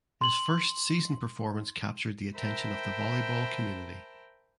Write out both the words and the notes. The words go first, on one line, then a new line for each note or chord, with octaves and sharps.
His first season performance captured the attention of the volleyball community.
C6 F#7
A#4 C5 E5 G5 A5 B5